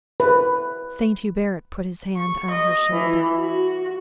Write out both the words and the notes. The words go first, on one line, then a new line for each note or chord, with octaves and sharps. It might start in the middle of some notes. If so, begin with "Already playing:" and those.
Saint Hubert put his hand on her shoulder.
B4
C#6
D#5
E3
F#4